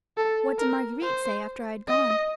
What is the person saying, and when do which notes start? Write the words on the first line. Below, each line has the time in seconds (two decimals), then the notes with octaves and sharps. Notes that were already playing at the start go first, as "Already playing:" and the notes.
"What did Marguerite say after I had gone?"
0.17 A4
0.59 A#4
1.03 C5
1.88 D#5